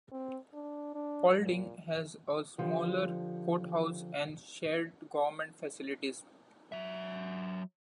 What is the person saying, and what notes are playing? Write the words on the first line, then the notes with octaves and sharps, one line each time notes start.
Paulding has a smaller courthouse and shared government facilities.
C4
D4
D4
A#2
D3 F3 G4
F#3 E5